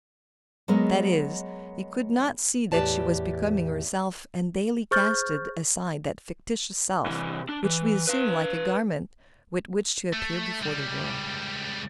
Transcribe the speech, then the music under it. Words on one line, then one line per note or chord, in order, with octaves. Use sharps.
That is, he could not see that she was becoming herself and daily casting aside that fictitious self which we assume like a garment with which to appear before the world.
F#3 G#3 B3 G#4 A#4 D#5
E2 A2 G4 B4 D5 A5
G#4 C5 C#6 F6 G6 A6
C3 E3
D4
E3
B4 F5
A3
C#2 G3